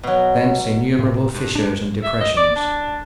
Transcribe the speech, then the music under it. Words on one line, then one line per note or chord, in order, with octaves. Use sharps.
Thence innumerable fissures and depressions.
B2 F#3
A2
G2
D4
E5
D#5
D5
D4